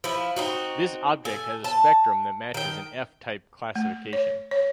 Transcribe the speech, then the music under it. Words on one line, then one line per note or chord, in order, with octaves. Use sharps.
This object has a spectrum that matches an F-type classification.
F3 E4
C4 D#4 F#4
A4 G#5
A5
D#3 G5
A3
C#5
C#5